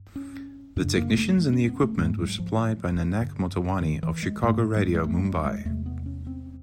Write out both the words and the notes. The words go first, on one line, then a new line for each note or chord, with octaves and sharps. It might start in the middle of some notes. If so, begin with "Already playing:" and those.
The technicians and the equipment were supplied by Nanak Motawani of "Chicago Radio", Mumbai.
Already playing: G2
C#4
F#2 C#3 D4
A#3
A#3
A3
G#3
C#4
B3
A3
G#2 G#3
F#3
F3
G2 D3
D#3
E3
G#3
G#2 A3
F#3
G3
G#3
A3
G3
G#3
E2 C3 A3
B3
C#4
C4